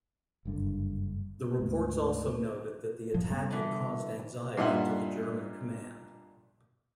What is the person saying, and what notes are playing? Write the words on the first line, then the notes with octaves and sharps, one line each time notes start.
The reports also noted that the attack had caused anxiety to the German command.
F#1 G2 D3
D2 G#2
F#2 A2 F3
C3 G3 B3
D3 E3
G2 A#2 D#4 E5 F#5 C6